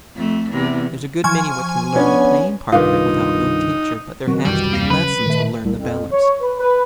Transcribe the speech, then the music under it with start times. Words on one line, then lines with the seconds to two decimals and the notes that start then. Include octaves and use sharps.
There's a good many what kin learn the playin' part of it without no teacher; but there has to be lessons to learn the bellers.
0.16 F2 A3
0.50 E2 C3
1.24 F3 G#5 C#6
1.96 B3 C#4 D4 C#5
2.72 C2 G2 D#3 D#4 F4 G4 B4 F5
4.26 B2 D#3 F#3 C4 F#4
4.45 C2 F#2 E3 G3
4.71 D#2 F5 A#6
4.90 C#3 F#3 C#4 B4 B5
5.26 A#2 D#3 A3
5.64 C2
5.77 F2
6.12 C#5
6.41 B4
6.59 B4